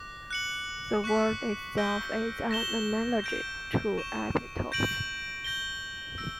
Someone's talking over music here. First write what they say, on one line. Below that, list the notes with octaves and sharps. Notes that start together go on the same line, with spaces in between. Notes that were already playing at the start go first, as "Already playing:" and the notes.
The word itself is an analogy to epitopes.
Already playing: D6 F#6 A#6
F#6 C#7 F#7
C#6 F#6 B6
E6 G6 A#6 D7 G7
A#6 E7 G7
G6 A#6 D7 G7
C#6 G6 A#6 E7 G7
G6 A#6 D7 F#7
G6 A#6 D7 G7
E6 G6 A#6 D7 G7